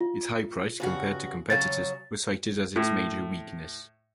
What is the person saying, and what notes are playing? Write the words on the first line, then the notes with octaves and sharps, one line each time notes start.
Its high price compared to competitors was cited as its major weakness.
F4
G2 C#3 F#4
C#3 F#3 C#4 A6
A2